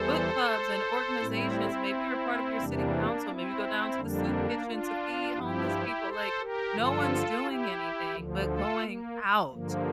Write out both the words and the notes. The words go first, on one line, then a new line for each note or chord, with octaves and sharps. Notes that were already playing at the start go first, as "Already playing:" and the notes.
book clubs and organizations, maybe you're part of your city council, maybe go down to the soup kitchen to feed homeless people, like, no one's doing anything, but going out!
Already playing: E2 E3 G3 A4 C5
A2 G3 C4 E4
E2 C3 E3 G3 A#3 D4
C4 E4
F2 D3 G3 A#3 D4
D4 F4
G2 F3 E4 G4
A4 C5
G4 A#4
G2 D3 F3 F4 A4
E4 G4
D2 D3 F3
F4 A4
A#3
G2 D3 F3 A#3